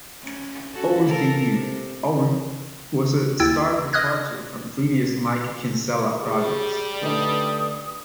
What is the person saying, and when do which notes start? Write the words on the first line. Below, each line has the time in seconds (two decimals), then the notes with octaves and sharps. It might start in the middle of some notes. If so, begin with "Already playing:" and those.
Owen's debut, "Owen" was a stark departure from previous Mike Kinsella projects.
0.23 C#4
0.72 C#4 F#4 A4
1.04 A4 A#4
1.49 C3
3.40 D#2 E4 G5 E6 G#6 A6
3.93 D#5 D#6 F6 F#6 G#6 A#6
6.21 G3 G#4
7.01 D3 A3 D#4 B4 D#6